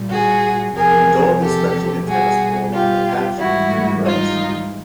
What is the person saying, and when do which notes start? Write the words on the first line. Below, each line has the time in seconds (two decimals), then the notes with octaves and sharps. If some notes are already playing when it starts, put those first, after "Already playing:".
A dog is fetching a tennis ball in a patch of green grass.
Already playing: A#2 G3
0.09 F#4 G#4
0.75 E2 C3 F3 G#4 A#4
1.41 G4 A4
2.07 B2 G3 F#4 G#4
2.72 F4 G4
3.38 G#2 E3 G3 E4 F#4
4.05 D#4 F4